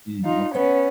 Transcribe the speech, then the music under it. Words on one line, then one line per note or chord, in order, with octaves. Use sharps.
Mm, okay.
D#4 F4
B3 C#4